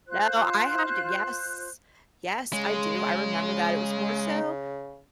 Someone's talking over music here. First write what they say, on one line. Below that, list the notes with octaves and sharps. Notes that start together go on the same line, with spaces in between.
No, I had yes, yes, I do. I remember that it was more so
F4 C5 F#6
C#3 G#3